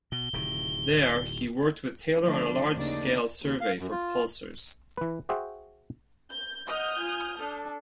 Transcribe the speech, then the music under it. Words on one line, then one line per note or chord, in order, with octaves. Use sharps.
There he worked with Taylor on a large-scale survey for pulsars.
B2 G7
D1 C3 D#3
D3 F3 A3 D4
D#2 C#3 D4 D#4 D5
D#2
F5
F#2
F4
E3 B4
F#4 G#4 C5 E5 G5
G6
D#5 F#5 D#6 F6 G6
F4 G#5
D4 A4